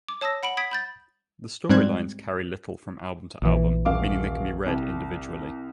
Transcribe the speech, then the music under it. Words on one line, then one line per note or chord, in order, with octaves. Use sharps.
The storylines carry little from album to album, meaning they can be read individually.
D6
C#5 A5 D#6 E6 A#6
F#5 B5 D7 F#7
B5 D#6 G#6 B6 D7
B5 G6 A6
G#2 G3 C4 F#6 G#6
A#1 E3
D#1 F5 D6
C2 G3